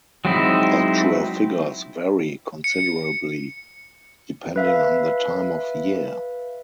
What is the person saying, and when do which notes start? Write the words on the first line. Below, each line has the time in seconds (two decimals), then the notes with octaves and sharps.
Actual figures vary considerably depending on the time of year.
0.25 F#3 G#3 C4 D#4 E4
2.64 C#7
4.56 B4 E5 F5